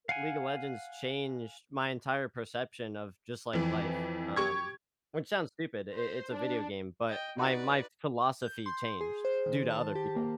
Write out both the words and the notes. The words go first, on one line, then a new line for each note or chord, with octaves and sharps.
League of Legends changed my entire perception of just, like, life, um, which sounds stupid. It it it's a video game, but, my my philosophy changed due to other people.
F5 F#5 G#5
F2 E3
G4 C#6 G#6
C5
D4
D#5 G5
D#4 F#4 B4 D5
G6
C6
G#4
C5
D#3
A5
G4
A#3